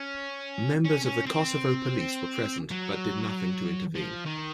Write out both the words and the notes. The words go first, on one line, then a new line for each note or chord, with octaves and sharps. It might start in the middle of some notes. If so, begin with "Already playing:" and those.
Members of the Kosovo Police were present but did nothing to intervene.
Already playing: C#4
C#4
C#4
C4
F#3
F3
D#3